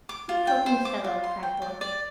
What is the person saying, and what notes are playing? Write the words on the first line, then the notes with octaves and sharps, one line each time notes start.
"You croaking fellow!" cried Thorpe.
D6
F4
G5
C5
D6
F4
C6
G5
D5
D5